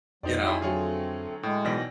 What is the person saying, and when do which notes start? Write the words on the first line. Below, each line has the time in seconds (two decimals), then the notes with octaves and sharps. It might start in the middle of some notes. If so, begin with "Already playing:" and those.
you know?"
0.23 F2 F#3 D#4 C5 D5
0.47 E4 G#4
0.61 D3 F#3 A3 C4 F4 G#4 C#5
1.43 A2 G#3
1.65 B1 B2 D#3 E3 D5 A#6